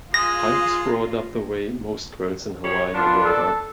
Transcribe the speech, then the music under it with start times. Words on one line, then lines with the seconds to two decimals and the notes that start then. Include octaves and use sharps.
I was brought up the way most girls in Hawaii are brought up.
0.14 G#3 F4 D#6 A#6
2.64 F3 G3 C#5
2.95 D#3 B3 D4 F4
3.25 A4